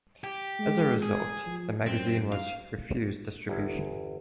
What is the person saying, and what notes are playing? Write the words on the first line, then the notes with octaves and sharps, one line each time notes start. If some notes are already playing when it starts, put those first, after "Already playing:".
As a result, the magazine was refused distribution.
G4
G#3
G#4
F3
F#2 C4
F5
G1 E2 G#4 E5